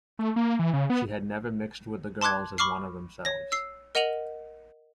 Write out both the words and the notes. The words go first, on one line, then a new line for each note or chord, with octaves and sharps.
She had never mixed with the girls as one of themselves.
A3
A#3
E3
C#3
B3
A5 C6 D6 F#6 G#6
B5 C#6 D6 F6 C7
C#5 A#6
E6 C7
A#4 D#5 F#5 D#7 F7 F#7